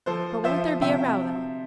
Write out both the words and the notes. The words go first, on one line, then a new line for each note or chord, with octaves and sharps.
But won't there be a row though?
F3 A4 C5
F3 C5 E5
C3 E5 G5